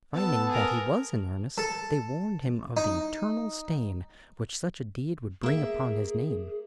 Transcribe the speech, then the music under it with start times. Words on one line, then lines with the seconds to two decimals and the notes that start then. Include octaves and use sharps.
Finding that he was in earnest they warned him of the eternal stain which such a deed would bring upon his name.
0.14 B3 A4 A5
0.49 G#4 A#4
1.58 A4
2.77 D#4
5.43 A#3 G#4 E5